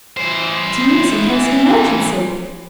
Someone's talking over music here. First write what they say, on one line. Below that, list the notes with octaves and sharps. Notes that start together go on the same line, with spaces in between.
"To use in case of emergency."
E3 C5